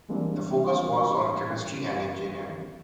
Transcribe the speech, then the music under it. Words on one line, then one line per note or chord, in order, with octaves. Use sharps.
The focus was on chemistry and engineering.
E3 G3 G#3 A#3 C4 D4